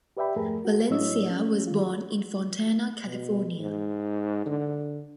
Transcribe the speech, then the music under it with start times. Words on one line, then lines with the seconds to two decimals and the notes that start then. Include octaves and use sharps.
Valencia was born in Fontana, California.
0.17 G4 B4 D5 E5 G5 B5
0.36 F2 G#2 A3 G#4 A#4
0.65 F#4 A4
0.89 A2 F#3 E4 C#5 D#5 E6
1.30 C#4
1.67 D#3 G#3 F4
3.05 B2
3.59 G#2
4.46 D3